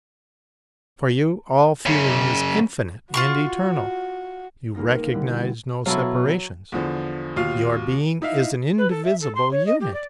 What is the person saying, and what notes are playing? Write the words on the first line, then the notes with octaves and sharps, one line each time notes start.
For you all feeling is infinite and eternal; you recognize no separations, your being is an indivisible unity.
F#2 C#3
F4 F#4 C6 C#6
C#2 C#3 A#3 D#4 A#6
D3 G3 E4
B2 F#3 E4 A4 F5
E2 D3 F3
D#2 B2 F4 F5
D#4 E4 E5 F5
B4
A4
E5
A4
C6
C#5
D#5
G4
D5